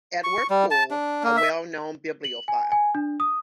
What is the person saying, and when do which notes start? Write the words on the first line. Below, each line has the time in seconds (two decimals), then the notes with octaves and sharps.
Edward Poole, a well-known bibliophile.
0.24 C#6
0.50 G3
0.71 A5
0.91 D4
1.23 A#3
1.37 E5
2.24 F#7
2.48 G#5
2.72 G#5
2.95 D4
3.20 D#6